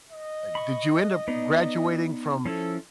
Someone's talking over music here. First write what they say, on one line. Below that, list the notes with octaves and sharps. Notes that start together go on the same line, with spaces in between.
uh, did you end up graduating from
D#5
B5 C#6
B3 D4 D#4
F3 C#4 E4 A4